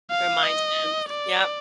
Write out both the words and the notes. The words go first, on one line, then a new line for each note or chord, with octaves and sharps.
Reminds him, yep.
F5
D#5
D5